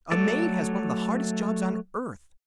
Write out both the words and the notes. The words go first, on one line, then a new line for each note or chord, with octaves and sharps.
A maid has one of the hardest jobs on earth.
F#3 A3 A4 D5